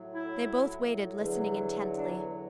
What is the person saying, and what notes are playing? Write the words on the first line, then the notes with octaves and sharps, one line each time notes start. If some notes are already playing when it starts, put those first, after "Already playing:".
They both waited, listening intently.
Already playing: A2 F#3
E4
E2 D3 F#3
D4